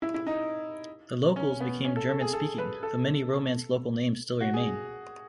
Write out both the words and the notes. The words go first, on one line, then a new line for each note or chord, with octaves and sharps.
The locals became German speaking, though many Romance local names still remain.
E4
E4
D#4
C#4
B3
C#4
A4
A4
G#4
A4
B4
A4
F#4
G#4